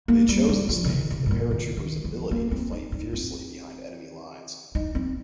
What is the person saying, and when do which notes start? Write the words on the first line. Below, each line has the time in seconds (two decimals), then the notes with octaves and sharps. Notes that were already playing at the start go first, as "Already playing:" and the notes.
They chose this name for the paratroopers' ability to fight fiercely behind enemy lines.
0.08 A#3
0.29 G3
0.49 G3
0.69 F3
0.84 C3
0.90 D#3
1.11 C3
1.26 G2
1.31 A#2
1.51 D#3
1.77 D#3
2.04 F3
2.31 A#3
2.51 C4
2.72 D#4
2.92 D#4
3.13 C4
4.75 D#4
4.95 C4